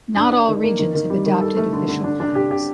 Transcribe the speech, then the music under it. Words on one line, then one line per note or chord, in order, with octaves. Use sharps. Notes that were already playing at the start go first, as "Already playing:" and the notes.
Not all regions have adopted official flags.
D4
D4
D#3
A#3
D#3
D#3
G3
D#3
A4
A3
D3
D3
D4
D4
G4
G4